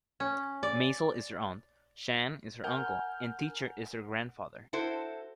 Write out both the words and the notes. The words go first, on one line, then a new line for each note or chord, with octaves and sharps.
Mazal is her aunt, Shann is her uncle, and Teacher is her grandfather.
C#4
D5
A#4 F#5 G#5 F6 G6
E4 F#4 A4 C5